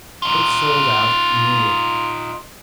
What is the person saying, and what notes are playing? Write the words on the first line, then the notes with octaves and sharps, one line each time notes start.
It sold out immediately.
D#4 F4